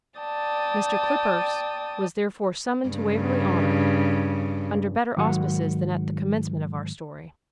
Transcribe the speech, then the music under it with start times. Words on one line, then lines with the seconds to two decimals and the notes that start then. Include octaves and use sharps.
Mr. Clippurse was therefore summoned to Waverley-Honour, under better auspices than at the commencement of our story.
0.19 D5 G5 A5 D#6
2.89 G2 C#3
5.16 G#2 D#3 F#3 F#4 F#5